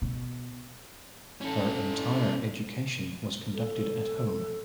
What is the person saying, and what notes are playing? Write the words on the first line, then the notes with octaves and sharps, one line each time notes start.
Her entire education was conducted at home.
B2
C#4 A4
A4